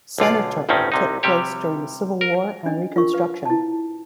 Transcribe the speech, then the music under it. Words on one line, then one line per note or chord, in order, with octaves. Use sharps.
Senator took place during the Civil War and Reconstruction.
B1 D3 F4 D5
G1 D2 A2 D#3 C4 C#4
C2 C3 D#4
C3 G3 G4 C#5
A#4
C#4 D4 D#5
F4 A#4 C#6
B4 F5
E4 A5